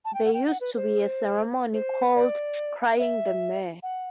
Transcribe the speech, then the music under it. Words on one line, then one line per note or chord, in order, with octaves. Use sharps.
There used to be a ceremony called "crying the mare".
A5
G5
F#5
G5
F#5
B4
C5
C5
D5
E5
F#5